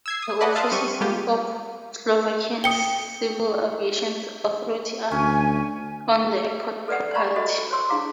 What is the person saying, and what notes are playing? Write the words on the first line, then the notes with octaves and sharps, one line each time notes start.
The offices of the Slovakian Civil Aviation Authority are on the airport property.
E6 G#6 C7
D#6
B4 D5 D#5 F#5
E5 F5 A5 C6 D#6 F#6
G3 C4 G4 C#6 D#7
G3 G#3 A#3 B3 F4 G4
G5 D#6 C#7 G7
D2 C#4 G#5
A4 B4 D5 E5 F#5
D5 F5 G#5 A#5 B5 C#6
F#4 A4 C5 D#5 E5
C5 C#5 C6 E6
D4 E4 G#4 F5 A#5 D6